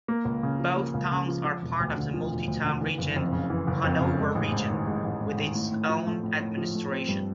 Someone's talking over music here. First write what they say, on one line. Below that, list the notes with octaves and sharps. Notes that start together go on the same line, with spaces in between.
Both towns are part of the multitown region "Hanover Region" with its own administration.
A#3
C#2
C#3
F3
A#3
C#2
C#3
F3
F3
E1
D2
D3
F3
E1
D2
D3
E3
F#1
F2
C#3
E3
F#1
F2
C#3
G#3
A1
G#2
D#3
G#3
A1
G#2
D#3
A2
A2
F3
A3
A2
A2
F3
A3
C4
G2